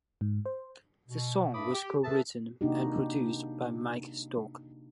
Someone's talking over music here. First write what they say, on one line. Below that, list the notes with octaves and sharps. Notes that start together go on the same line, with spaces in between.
The song was co-written and produced by Mike Stock.
G#2
C5
B2
G2 D4 E5 B5 D6 D#6
G4
G#4 A4 B4 E5 A5
C3 A#3 D4 D#4 F#4 G4